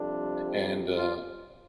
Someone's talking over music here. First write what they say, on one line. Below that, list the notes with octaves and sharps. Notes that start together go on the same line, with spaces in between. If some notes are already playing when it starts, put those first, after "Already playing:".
And, uh
Already playing: F2 C3 G3 D4
F4